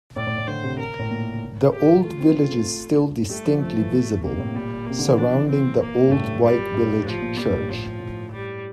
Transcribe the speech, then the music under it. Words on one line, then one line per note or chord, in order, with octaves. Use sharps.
The old village is still distinctly visible, surrounding the old white village church.
A2 D5
A2
A2
D3 C5
C3
A#4
A2
A#2
G4
A3 F4
C4
A3
G3 A3
F3
F3 A3
E3
C3 A#3
A2
A#2 G3
C3 A#3
D3
E3
F3 D4
E3
C4
A#3
G2
A2 A3
G3
G2
A2
A2
A2 F3
A#2
A#2 G3
A2
G2
A2 F3
A2
G3